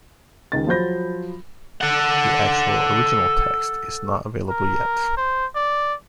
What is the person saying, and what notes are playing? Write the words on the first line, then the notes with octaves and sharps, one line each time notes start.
The actual original text is not available yet.
C#2 D#3 A6
F3 F#3 C5 B5 G6 A#6
A4 F#5
A#4
C5
D5